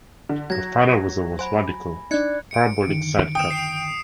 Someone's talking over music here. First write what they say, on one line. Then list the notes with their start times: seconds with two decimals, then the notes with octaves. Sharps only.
The final result was radical parabolic sidecut.
0.29 D3
0.50 F#3 G#6 A#6
1.39 C5 F#5 G#5 B5
2.11 D4 D#4 D5 F#6 G#6 C#7
2.51 C#7 D7
2.85 F#2 D3 D#3
3.35 G5 D#6 D7 E7
3.51 C7